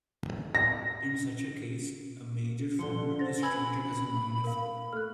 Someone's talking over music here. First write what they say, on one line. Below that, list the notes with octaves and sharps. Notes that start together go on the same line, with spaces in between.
In such a case, a major foul is treated as a minor foul.
A#6
D3 F3 C6 C#7
C5 A6 A#6
B4 G#5 B5 E6 G#6
A#4 F5
A3 F6 F#6